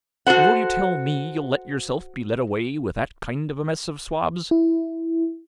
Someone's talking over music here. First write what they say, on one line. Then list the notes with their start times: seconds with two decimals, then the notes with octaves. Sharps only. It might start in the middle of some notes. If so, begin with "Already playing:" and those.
And will you tell me you'll let yourself be led away with that kind of a mess of swabs?
0.27 F#4 A4 C5 F#5
4.51 E4